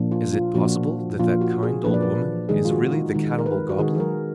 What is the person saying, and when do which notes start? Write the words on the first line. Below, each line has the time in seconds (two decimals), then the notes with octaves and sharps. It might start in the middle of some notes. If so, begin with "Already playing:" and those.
Is it possible that that kind old woman is really the cannibal goblin?
Already playing: A#2 F3 A#3 D4
0.12 F4
0.33 F4
0.54 A#2 F3 A#3 D4 F#4
1.19 A#2 F3 A#3 D4 F4
1.41 F#4
1.63 G#4
1.84 A#2 F3 A#3 D4 B4
1.94 D5
2.02 B4
2.49 D#3 G#3 D#4 G#4
2.65 F4
2.71 F#4
2.92 D#4
3.14 D#3 G#3 D#4
3.38 A#4
3.46 B4
3.69 F#4
3.79 D#3 G#3 D#4 G#4
3.95 G#4
4.00 A#4